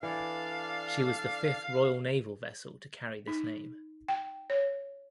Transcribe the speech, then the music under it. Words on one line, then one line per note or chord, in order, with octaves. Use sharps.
She was the fifth Royal Naval vessel to carry this name.
E3 D4 A4 D5 F5
D#4
G5
C#5